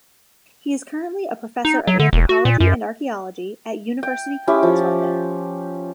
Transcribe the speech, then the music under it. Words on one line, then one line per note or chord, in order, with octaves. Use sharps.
He is currently a Professor of Anthropology and Archaeology at University College London.
D#4
F#3
D3
E1
F#4
A#2
F#2
G5
C#4 E4 G4
F3